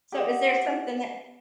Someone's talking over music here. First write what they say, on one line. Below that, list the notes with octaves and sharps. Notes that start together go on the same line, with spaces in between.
So, is there something that
G4 G#4 F#5